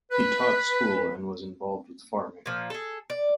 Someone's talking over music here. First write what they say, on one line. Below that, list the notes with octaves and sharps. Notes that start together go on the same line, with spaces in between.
He taught school and was involved with farming.
B4
A#2 F3
G#4 A4
D5